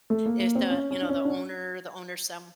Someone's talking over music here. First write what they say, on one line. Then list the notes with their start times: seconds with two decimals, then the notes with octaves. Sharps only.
If the, you know, the owner the owner's son
0.10 A3
0.26 A#3
0.40 A#3
0.55 C4
0.70 C#4
0.91 C#4
1.02 D4
1.10 C#4
1.25 D4
1.29 C#4